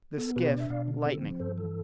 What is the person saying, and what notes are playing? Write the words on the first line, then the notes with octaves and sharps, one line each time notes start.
The Skiff "Lightning."
B3 A4
B2 G4 B4
D4 D5
E5
B2 D5 F5
D3
C4 A4
F3
G2 A4 C5
E3 A4